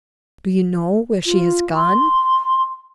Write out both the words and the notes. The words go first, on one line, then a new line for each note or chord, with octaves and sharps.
"Do you know where she has gone?"
F4
C6